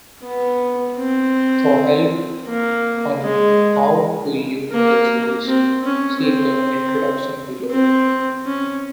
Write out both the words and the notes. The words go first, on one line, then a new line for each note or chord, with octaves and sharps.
For help on how to use this list, see the introduction below.
B3
C4
A#3
G#3
A#3
C4
C#4
C4
C4
C#4